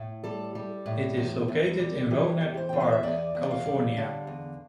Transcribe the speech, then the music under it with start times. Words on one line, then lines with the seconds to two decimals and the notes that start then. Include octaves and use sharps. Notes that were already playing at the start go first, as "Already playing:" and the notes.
It is located in Rohnert Park, California.
Already playing: A2
0.24 G3 A4
0.55 G3
0.86 A2
1.17 E2
1.48 E2
1.79 G3
2.10 E3 G4
2.41 E2
2.57 C5
2.69 E2 G5
2.80 F5
2.92 E5
3.03 E2 D5
3.35 E2
3.51 F5
3.66 G3
3.97 D3
4.27 E2